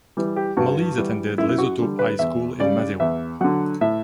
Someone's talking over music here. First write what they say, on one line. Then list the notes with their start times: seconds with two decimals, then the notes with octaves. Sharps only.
Molise attended Lesotho High School in Maseru.
0.17 E3 G3
0.36 G4
0.57 G2 F#4
0.98 E3 G3
1.38 F#2 E4
1.49 E4
1.58 F#4
1.79 D3 G3
1.99 B4
2.19 E2 E5
2.59 C#3 G3 D5
3.00 E2 E5
3.41 D3 F#3 F#5
3.81 A2 E5